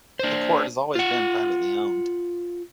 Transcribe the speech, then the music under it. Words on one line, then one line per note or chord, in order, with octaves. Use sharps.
The port has always been privately owned.
D4 C5
F4 F#5